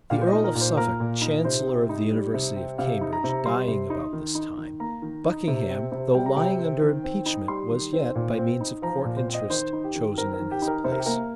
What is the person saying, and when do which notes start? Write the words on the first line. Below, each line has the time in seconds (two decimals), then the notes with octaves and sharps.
The earl of Suffolk, chancellor of the university of Cambridge, dying about this time, Buckingham, though lying under impeachment was yet, by means of court interest, chosen in his place.
0.10 A#2 F5
0.21 C5
0.27 D#5
0.33 D#4
0.44 A#4
0.55 A#2
0.61 C5
0.77 A#3 A#4
1.00 A#2
1.22 D#4
1.45 C3 C5
1.67 C4
1.89 D#4
2.12 G3
2.34 C3
2.56 C4
2.78 C3 F5
3.01 D#4
3.13 A#5
3.24 C3
3.29 A#5
3.46 G3 C6
3.68 C3
3.90 D#4
4.13 D#3
4.35 D#4
4.57 D#3
4.80 A#3 A#5
5.02 D#3
5.25 D#4
5.48 C3
5.70 C4
5.92 C3
6.15 G3 G5
6.26 A#5
6.36 C3 G5
6.59 C4
6.81 D#3
7.04 C4
7.26 D#4
7.48 G3 C6
7.70 D#3
7.93 C4
8.15 A#2
8.38 C4
8.61 D#4
8.82 F3 A#5
9.05 A#2
9.17 C5
9.28 C4
9.34 D#5
9.50 D#3 C5
9.73 D#4
9.84 G4
9.95 D#3
10.17 C4 A#4
10.33 A#4
10.40 D#3
10.51 G4
10.62 D#4
10.67 A#4
10.84 C3 C5
10.92 A#4
10.99 G4
11.06 A#3 A#4